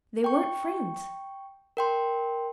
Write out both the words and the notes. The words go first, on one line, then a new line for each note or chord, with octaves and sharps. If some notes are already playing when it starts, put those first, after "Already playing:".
They weren't friends.
G5 C#6
A#4 G5 C6